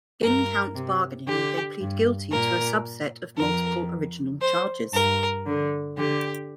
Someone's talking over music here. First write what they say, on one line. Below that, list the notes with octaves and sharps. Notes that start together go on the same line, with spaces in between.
In count bargaining, they plead guilty to a subset of multiple original charges.
G2 A#4
C3
D3 G4
G2
A#2 A#4
F2 A#4
C5
G2 A#4
D3
D3 G4